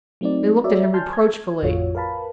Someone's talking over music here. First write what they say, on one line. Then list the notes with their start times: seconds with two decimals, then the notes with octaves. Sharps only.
They looked at him reproachfully.
0.21 F#3 A3 C4 D#4 D5
0.64 F#4 C#5 D5 E5
0.94 G#5 A5 C6 F6 G6
1.13 G#6
1.62 A1 F2 A2 F4 F#4 C#5
1.95 A#4 B4 F5 A5 B5